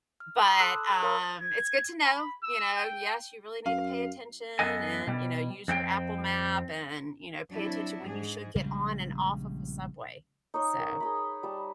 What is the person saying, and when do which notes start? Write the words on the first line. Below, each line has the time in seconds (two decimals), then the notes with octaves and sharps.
but, um, it's good to know, you know, yes, you really need to pay attention and, you know, you use your Apple map and, you know, pay attention when you should get on and off of the subway, so
0.20 F6
0.43 C6 D#6
0.60 A4 A5 B5 D6 E6 F#6
1.03 A#4 C#5 F5 A#5 B5 E6
1.39 G#6
2.04 B5
2.43 E6
2.77 G5
3.66 F#2 F5
4.59 F#2 B3 A4 D#5 G#5
5.07 B2 G3
5.68 F2 C4 F#4 G5
7.52 F#3 C4 D4 E4
8.07 G#2 G#4
8.55 A#1 C#3 G3 G#3
10.54 D#4 C#5 D#5
10.79 A#4
11.00 G#4 D#5 B5
11.43 G3 A5